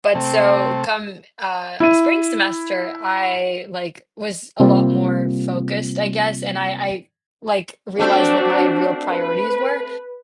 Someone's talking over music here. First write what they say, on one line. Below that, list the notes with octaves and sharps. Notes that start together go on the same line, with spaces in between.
but so, come, uh, spring semester, I like, was a lot more focused, I guess, and I I, like, realized what my real priorities were,
C3 A3 C4
E4 D#7
C3 G3 A#3 C4 F4
A3 C4 D4 F#4
B4